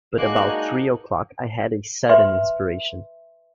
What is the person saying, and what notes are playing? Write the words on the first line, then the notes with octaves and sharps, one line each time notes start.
But about three o’clock I had a sudden inspiration.
G#3 A#3 D4 D#4 F#4 G#5 F#6
B4 E5 C6